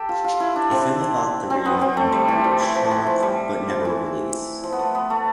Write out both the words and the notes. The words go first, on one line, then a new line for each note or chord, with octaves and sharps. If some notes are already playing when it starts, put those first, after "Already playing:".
A film about the reunion tour was shot but never released.
Already playing: G4 A4
F4
F4
E4
D4
C4
C4
B3
C4
A3
G3
E3
F3
E3
F3
E3
F3
G3
F3
E3
F3
B3
A3
B3
A3